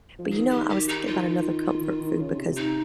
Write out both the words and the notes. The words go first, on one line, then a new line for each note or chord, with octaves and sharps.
But you know what? I was thinking about another comfort food, because
F3
D#3 G#4
G4
G4
D#4
F4
D#3
D#3
C#3
C3
C3 D#4